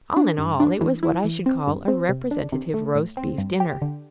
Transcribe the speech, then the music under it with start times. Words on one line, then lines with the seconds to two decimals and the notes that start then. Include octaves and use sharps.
All in all, it was what I should call a representative roast beef dinner.
0.16 D4
0.38 G2
0.60 D4
0.81 E3
1.03 E4
1.25 E3
1.46 C4
1.67 G2
1.88 C4
2.09 C3
2.31 D4
2.52 C3
2.74 A3
2.95 A2
3.17 C4
3.38 G2
3.60 G4
3.82 D3